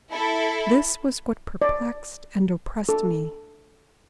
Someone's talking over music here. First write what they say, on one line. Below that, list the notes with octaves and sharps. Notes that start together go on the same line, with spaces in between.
This was what perplexed and oppressed me.
E4 A4
D5
A4